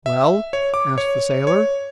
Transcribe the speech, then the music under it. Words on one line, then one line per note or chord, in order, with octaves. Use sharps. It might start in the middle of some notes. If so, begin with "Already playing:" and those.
"Well?" asked the sailor.
E5
C#5
D6
C#5
C#5